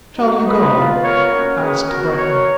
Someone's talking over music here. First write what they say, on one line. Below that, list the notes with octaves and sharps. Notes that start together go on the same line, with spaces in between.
"Shall you go?" asked Breton.
A#3 D#4 F#4
B4 D#5
B3 F4
A#4 C#5
A#3 C#4 F#4
G#4 B4
B3 F#4 A#4
A#4 C#5